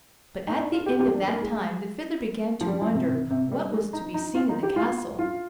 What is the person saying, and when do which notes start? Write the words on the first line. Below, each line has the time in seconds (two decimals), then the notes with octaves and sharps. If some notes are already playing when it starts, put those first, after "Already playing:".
But at the end of that time the Fiddler began to wonder what was to be seen in the castle.
0.47 D#4
0.58 D4
0.72 F4
0.86 G4
0.99 G4
1.14 D4
1.27 A#3
1.42 G#3
2.61 F3
2.67 G3
2.82 F3
2.95 C3
3.10 C3
3.30 C3
3.51 G3
3.72 G#3
3.93 D#4
4.14 D#4
4.35 F4
4.49 D#4
4.63 G4
4.76 F4
5.19 F4